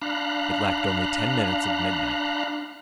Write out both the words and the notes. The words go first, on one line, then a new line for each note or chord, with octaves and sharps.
It lacked only ten minutes of midnight.
D4 F5 A#5 B5 F#6